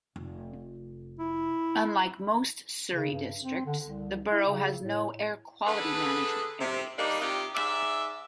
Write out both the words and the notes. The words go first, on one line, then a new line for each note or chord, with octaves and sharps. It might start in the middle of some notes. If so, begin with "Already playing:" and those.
Unlike most Surrey districts the borough has no Air Quality Management Areas.
F1
E4
C#3
G2
C4
D3
C2
E4
C#3
A2
D3 G#4 A4 B4
C3
G3 A#3 D4 D#4
C3 D4 D#4 F4 G4
G#2 D5 E5